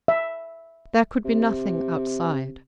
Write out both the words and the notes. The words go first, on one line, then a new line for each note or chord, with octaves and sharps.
There could be nothing outside.
E5
C3